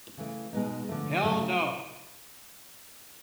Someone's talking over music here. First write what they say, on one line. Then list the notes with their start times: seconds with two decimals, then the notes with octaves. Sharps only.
Hell no!
0.17 C#3 E3 A3
0.53 B2 G#3 B3 D#4
0.88 D3 F3 A3
1.24 C#3 F#3 A3 C#4